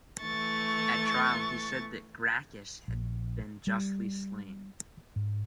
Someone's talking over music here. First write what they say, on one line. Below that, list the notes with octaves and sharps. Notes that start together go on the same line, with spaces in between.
At trial, he said that Gracchus had been justly slain.
E3 A3 C#6 A6
A#1
G3
G#2